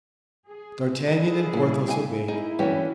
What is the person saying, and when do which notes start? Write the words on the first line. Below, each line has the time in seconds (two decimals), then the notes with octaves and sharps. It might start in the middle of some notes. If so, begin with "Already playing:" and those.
D'Artagnan and Porthos obeyed.
0.48 G#4
1.08 D3 G3 E4 G#4 A4 D#5
1.54 A#2 D4 F5
1.88 A3 G4 D#5 F5 G#5
2.28 A#3 D#4 E4 G#4
2.59 G2 D3 E3 C#4 F#4 G4